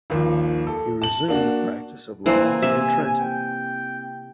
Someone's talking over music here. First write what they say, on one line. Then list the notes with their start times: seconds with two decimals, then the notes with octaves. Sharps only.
He resumed the practice of law in Trenton.
0.10 G#1 D#2 F3
0.67 A4
1.02 A5 F#7
1.28 A#3 D4 F#4
2.26 E3 A#3 C4 G#5
2.62 C3 E5
3.20 G5